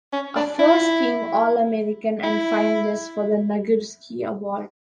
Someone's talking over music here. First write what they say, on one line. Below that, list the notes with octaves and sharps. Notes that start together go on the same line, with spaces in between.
A first-team All-American and finalist for the Nagurski Award.
C#4
D4
E4
E4